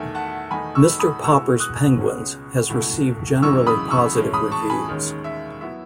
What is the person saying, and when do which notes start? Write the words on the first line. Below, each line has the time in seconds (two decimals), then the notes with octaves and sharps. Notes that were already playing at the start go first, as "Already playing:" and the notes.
"Mr. Popper's Penguins" has received generally positive reviews.
Already playing: E2 D#3 A3 E5 G#5
0.15 F#5 A5
0.51 E2 D#3 A3 D#4 G#5 B5
0.75 C#6 E6
0.99 B5 D#6
1.23 B2 G#3 B3 E4 C#6 E6
1.60 D#6 F#6
1.96 C#2 B2 G#3 C#4
2.69 C#2 B2 A3 E4
3.42 F#2 C#3 E3 G#3 D#4 C#6 E6
3.67 B5 D#6
3.90 C#6 E6
4.15 A2 E3 G#3 C#4 E4
4.34 B5 D#6
4.52 A5 C#6
4.70 G#5 B5
4.88 D#2 D#3 G#3 C#4
5.24 E5
5.61 F#3 B3 E4 E5